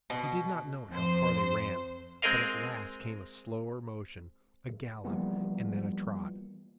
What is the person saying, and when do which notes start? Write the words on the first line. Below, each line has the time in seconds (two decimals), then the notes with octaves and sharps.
He did not note how far they ran; but at last came a slower motion, a gallop, and then a trot.
0.10 B2
0.90 F2 C5
2.22 G#3 C4 G#4 A#4 D#5 F5
5.04 E3 F3 G3 A#3 B3 F4